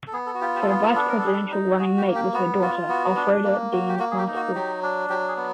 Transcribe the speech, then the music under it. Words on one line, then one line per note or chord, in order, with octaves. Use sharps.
Her vice-presidential running mate was her daughter, Alfreda Dean Masters.
A4
B3 G#4
A4
F#4
F4 G4
G4
A4
B3 G#4
A4
D4 A4
A#4
A4
G3 G#4
A4
D#4
F#4 G#4
G4
A#3
G4
B3 F#4
F4 F#4
B3 F#4
D4
A#3
F#4
G4
A#3 F#4
G#4
G4
D#4
F#4
F#3 G4
D4
F#3 G4
G#4
B3